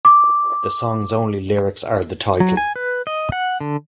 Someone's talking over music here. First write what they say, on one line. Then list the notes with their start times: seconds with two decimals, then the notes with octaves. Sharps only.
The song's only lyrics are the title.
0.05 D6
2.40 F#3
2.57 G#5
2.76 B4
3.07 D#5
3.32 F#5
3.60 D3